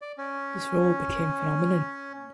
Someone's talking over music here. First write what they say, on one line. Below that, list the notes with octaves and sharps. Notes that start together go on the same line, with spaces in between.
This role became phenomenon.
D5
C#4